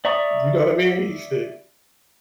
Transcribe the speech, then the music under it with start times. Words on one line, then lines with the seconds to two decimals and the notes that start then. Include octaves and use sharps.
you know what I mean, he said
0.05 D5 E5 A#5 C#6 D#6